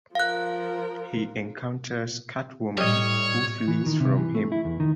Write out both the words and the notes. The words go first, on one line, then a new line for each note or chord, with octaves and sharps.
He encounters Catwoman, who flees from him.
F3 A#4 F5 F#6
A2 G3 C#5 D#5
E3
D#3
C3
E3
A3
E4
E2
D#3